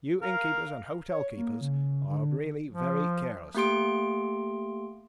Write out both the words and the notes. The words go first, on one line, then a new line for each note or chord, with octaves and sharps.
You innkeepers and hotel-keepers are really very careless.
A#4 F5
C#5
A#3
C#3
D3
F3
A3 A#3 G4 C6 D7